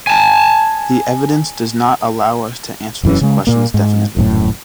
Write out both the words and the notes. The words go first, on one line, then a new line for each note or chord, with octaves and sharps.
The evidence does not allow us to answer these questions definitely.
G#5 A5
E1 F#2 E3 C#4
C#3 G#3
A#2 A#3
G#2
D#1 F#2 A2